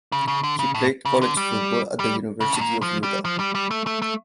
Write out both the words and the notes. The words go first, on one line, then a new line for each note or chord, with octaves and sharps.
He played college football at the University of Utah.
C#3
C#3
D3
C#3
A2
C#3
D3
G3
G3
C#3
A2
A#2
F3
G3
F3
G3
G3
A3
A3
A3